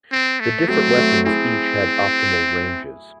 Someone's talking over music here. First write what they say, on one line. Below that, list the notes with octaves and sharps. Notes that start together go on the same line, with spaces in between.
The different weapons each had optimal ranges.
C4
A3
F#3 A3 C4
F#3 A3
C4 E4 G#4